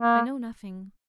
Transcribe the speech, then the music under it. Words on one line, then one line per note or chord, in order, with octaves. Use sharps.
I know nothing.
A#3